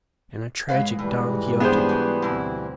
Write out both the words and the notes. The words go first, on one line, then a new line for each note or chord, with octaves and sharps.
And a tragic Don Quixote.
G#2 F#3 G#3 B4 F5
A2 E3 G3
B3 D4 G4 G#4 C5
F#4 D5
D2 B2 C4 E4 F#4